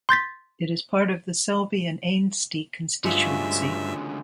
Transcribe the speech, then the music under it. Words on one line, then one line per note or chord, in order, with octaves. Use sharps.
It is part of the Selby and Ainsty constituency.
C6 G6 A6 B6
D2 G2 C#3 G#3 F4 G#4 E5 D#6